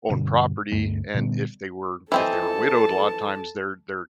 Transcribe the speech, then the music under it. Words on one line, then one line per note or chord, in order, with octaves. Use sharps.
own property, and if they were if they were widowed, a lotta times, their their
G2 B2 D3
D2 G2 A3
A#2 D3 G3 B3
E3 C4 A4 D#5 A5